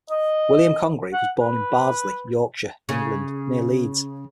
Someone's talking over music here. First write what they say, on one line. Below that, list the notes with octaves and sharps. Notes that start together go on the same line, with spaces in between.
William Congreve was born in Bardsey, Yorkshire, England near Leeds.
D#5
F#5
B4
C#3